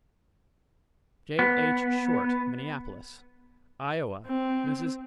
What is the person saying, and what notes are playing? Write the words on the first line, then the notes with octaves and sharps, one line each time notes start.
J. H. Short, Minneapolis. Iowa-Mrs.
B3
C4